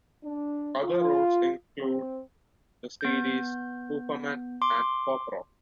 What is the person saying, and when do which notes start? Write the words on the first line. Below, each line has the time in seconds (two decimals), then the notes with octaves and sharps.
Other roles include the series "Hooperman" and "Cop Rock".
0.24 D4
0.83 F4
1.80 C4
3.01 B3 G6
4.62 C6 D6